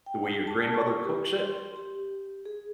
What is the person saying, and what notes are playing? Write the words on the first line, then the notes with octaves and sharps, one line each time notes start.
the way your grandmother cooks it?
G5
A5
C#6
G4
C6
G4
G#4